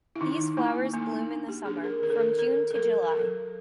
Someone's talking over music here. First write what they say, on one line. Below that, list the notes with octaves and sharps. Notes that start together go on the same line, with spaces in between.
These flowers bloom in the Summer, from June to July.
E4
D#3 D#4
A#3 E4
A#3 D#4
D4
G4
D4 G#4
A#4
D#3 A#4
A4
A#4
D#3 A#4
A4
F#3 A#4
A#4
F#3 A4